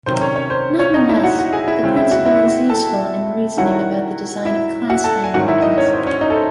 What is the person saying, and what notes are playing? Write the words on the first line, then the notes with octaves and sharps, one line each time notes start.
Nonetheless, the principle is useful in reasoning about the design of class hierarchies.
C3 D#3 F#3 C5
C#4 C#5
C#4 C#5
C5
C#4 C#5
D#4 D#5
E4 E5
F#4 F#5
F#4 F#5
G#4 G#5
E4 E5
C#3 G#3 C4 E4
E4 E5
F#4 F#5
E4 E5
A4 A5
D#3 F#3 C#4 E4 F#4 F#5
E4 E5
F#4 F#5
A4 A5
G#5
G#2 D#3 F#3 F#4 F#5
E4 E5
D#4 D#5
C#4 C#5
C5
C#4 C#5
D#4 D#5
A4
C5